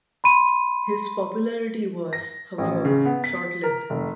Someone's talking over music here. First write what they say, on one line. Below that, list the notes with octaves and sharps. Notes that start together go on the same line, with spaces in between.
His popularity was, however, short-lived.
B5 C6 D#7
A#6
A1
C#3
B3
B6
A#4
F1